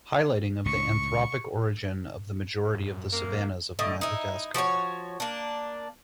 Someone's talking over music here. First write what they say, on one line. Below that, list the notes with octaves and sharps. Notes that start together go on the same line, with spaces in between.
Highlighting of the anthropic origin of the majority of the savannas of Madagascar.
C#2 A2 C#6
F#2
C3 A#3
A2 D3 D#5
D#4 E4
F3 F#4 C5 C#5
A#3 D4